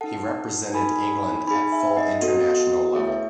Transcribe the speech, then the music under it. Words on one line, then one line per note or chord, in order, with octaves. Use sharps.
He represented England at full international level.
D#4 A4 F#5 A5
D#4 A4 G#5 B5
D#4 G#4 G#5 B5
E5 G#5
D#5 F#5
B3 F#4 A4
A3 E4 G#4 C#5 E5